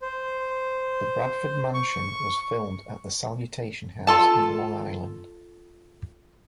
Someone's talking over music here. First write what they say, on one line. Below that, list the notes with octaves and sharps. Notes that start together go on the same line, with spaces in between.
The Bradford Mansion was filmed at the Salutation House in Long Island.
C5
C#6
F4 A4 A5